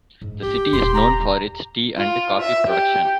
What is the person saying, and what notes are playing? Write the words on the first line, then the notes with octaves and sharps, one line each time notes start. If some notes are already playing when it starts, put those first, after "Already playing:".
The city is known for its tea and coffee production.
G#2
B3 C#4 G4
D#1 A2 C6
A#5
F4
E5
G4